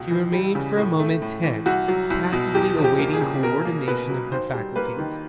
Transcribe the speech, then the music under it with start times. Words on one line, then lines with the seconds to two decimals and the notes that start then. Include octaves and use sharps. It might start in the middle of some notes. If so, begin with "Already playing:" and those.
She remained for a moment tense, passively awaiting co-ordination of her faculties.
Already playing: C#2 B2
0.11 E3
0.33 G3
0.55 C#3
0.77 A2
0.99 A3
1.22 A2
1.44 E3
1.66 C2 F#4
1.88 F#3
2.10 C2
2.33 B2
2.55 E2 G4
2.77 F3
2.84 G4
2.99 A#3
3.13 G#4
3.21 C#3
3.43 B2 A#4
3.65 A#3
3.88 B2 B4
4.10 F#3
4.31 D#2 C5
4.54 G3
4.76 A#3 B4
4.99 D#3